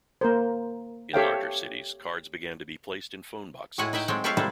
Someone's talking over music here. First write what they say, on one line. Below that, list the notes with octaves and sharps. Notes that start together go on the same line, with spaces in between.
In larger cities, cards began to be placed in phone boxes.
A#3 A#4 C5
G4 A4 C#5 E5 F5 G5
A2 G#3 E4 C#5 F#5 G#5
D#4 B4 E5 G5
F#3 G#3 C4 A4 C#5 G5
G4 A4 B4 C#5 E5 F5
C3 G3 G#3 A#3 E4 A4